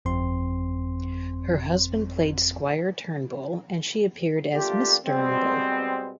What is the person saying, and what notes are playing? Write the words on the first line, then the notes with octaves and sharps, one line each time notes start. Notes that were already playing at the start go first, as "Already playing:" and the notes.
Her husband played Squire Turnbull and she appeared as Miss Turnbull.
G1 F2 C4 C6
A3 A#3 D4 F4 G4
B2 G3 G#3 B3 C4